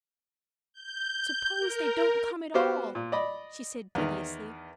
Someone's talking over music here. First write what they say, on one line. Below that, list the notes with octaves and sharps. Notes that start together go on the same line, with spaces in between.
"Suppose they don't come at all?" she said piteously.
G6
A#4
B3 F#4 G4 C5 F5
A#2
D5 D#5 B5
E2 D#3